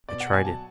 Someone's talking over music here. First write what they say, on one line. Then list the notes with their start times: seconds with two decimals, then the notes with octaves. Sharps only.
I tried it.
0.09 B2 D5
0.20 F#5
0.27 B2
0.33 G#5
0.45 F#3 A5